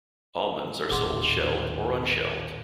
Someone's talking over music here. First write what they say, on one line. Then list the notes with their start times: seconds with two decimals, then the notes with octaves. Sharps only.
Almonds are sold shelled or unshelled.
0.90 A1 D#2 A#2 G#4 F#5 C6